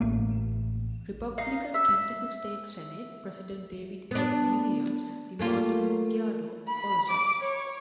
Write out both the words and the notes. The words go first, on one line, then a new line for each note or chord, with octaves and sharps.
Republican Kentucky State Senate President David L. Williams demanded Mongiardo apologize.
A1 A3 A#3
D#4 F5
E5
B3 D4
A3 A#3 F4
B5
D6
C#5